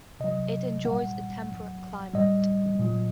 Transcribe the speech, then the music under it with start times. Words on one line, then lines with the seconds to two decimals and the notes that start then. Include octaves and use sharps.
It enjoys a temperate climate.
0.20 C3 F#3 D#5
0.85 A#2 G3 F#5
1.50 A2 F#3
2.14 A2 G3 D#5
2.79 A#2 F#3